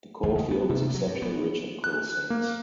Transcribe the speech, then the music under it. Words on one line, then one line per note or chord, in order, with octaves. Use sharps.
The coalfield is exceptionally rich in coal seams.
D#2
C#3
B3
C3
C3
F#3
G2
B3
F#6
A#3